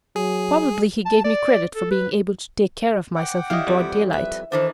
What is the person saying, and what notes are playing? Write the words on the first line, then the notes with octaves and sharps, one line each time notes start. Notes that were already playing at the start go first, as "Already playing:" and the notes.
"Probably he gave me credit for being able to take care of myself in broad daylight."
F#3 G#4
A5
D5
A4
B4
F#5 G5 D6
E4 G4 D5 D#5 F5
F2 G3
B4 E5
D#3 E3 D4 E4 A4 C5